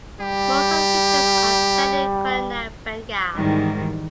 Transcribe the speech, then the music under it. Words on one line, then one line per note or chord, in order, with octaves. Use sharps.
Most of the fictions are set in colonial Bengal.
G3 G4
G#2 D#3 E3 G3